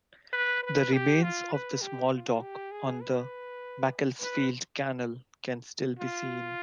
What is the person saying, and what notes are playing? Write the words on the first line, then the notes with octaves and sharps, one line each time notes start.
The remains of the small dock on the Macclesfield Canal can still be seen.
B4
B4
G4
F4
B4
G4
F4
G4
G#4
B4
B4
F4